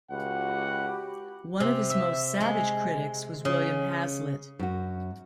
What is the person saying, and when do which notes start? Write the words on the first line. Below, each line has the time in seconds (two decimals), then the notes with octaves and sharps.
One of his most savage critics was William Hazlitt.
0.11 C#2 F#4 G4 F#5 B5
1.60 C3
1.90 E5
2.40 G#3
3.45 C#3
4.59 F#2 F#4